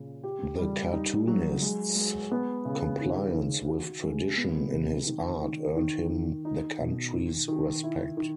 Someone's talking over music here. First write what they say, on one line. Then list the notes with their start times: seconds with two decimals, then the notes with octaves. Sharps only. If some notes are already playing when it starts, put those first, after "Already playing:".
The cartoonist's compliance with tradition in his art earned him the country's respect.
Already playing: A#2 C#3
0.24 G4
0.58 G3
0.92 D#4
1.27 F#3
1.62 G#3
1.96 G#3
2.31 B3
2.65 C#3
3.01 D#3
3.34 D#3
3.68 F#4
4.04 G#3
4.37 B3
4.72 C3
5.07 D#3
5.41 D#3
5.77 D#3
6.10 D#3
6.45 D#4
6.80 B2
7.15 D#3
7.48 D#3
7.83 E4
8.17 D#3